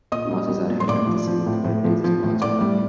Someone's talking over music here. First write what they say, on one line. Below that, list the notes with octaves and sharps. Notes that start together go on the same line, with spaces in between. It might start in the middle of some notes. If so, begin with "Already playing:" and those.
Masses are held at the summit, where there is a small chapel.
A#2 D#5 D#6
G3
G3
A#2
C6
A2 D5 D6
F3
F3
A2
A2
F3
F3
A2
A2 D5 D6
G3